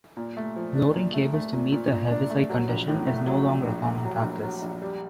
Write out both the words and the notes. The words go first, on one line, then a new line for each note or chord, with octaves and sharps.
Loading cables to meet the Heaviside condition is no longer a common practice.
A#2
A3
F3
D4
A#2
A3
A3
A#2
A#2
A#2
D4
A3
F#3
A#1
A2
A3
F#3
A#1
A#1
A3
F#3
A#1
F#3
A#1
G3